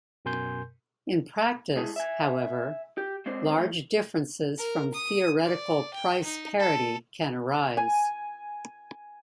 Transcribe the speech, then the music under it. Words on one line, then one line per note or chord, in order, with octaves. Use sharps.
In practice, however, large differences from theoretical price parity can arise.
F#2 B2 A#4 G#5 C6 G6
G#2 G#3 E4 G#4 A5
E5 G#5
G4
G#3 C4 D4 C5
F3 A3
A#4
D#6
D5
G5
D#4
A4
G#5